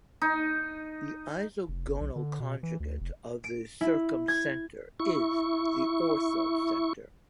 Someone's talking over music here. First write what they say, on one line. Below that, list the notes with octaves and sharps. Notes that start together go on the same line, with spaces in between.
The isogonal conjugate of the circumcenter is the orthocenter.
D#4
F1
G1
B1
D3
B2
E3
D2
F1
D7
E4
G#6
E4 C#6